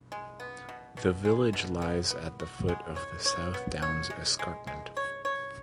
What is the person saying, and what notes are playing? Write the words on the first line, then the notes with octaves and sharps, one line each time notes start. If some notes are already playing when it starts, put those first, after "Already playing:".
The village lies at the foot of the South Downs escarpment.
G#3
B3
B2
B2
G#3
B2
B3
B3
F#4
G#3
C#5
C#5
B3
C#5
G#3
G#3
G#3
C#5
C#5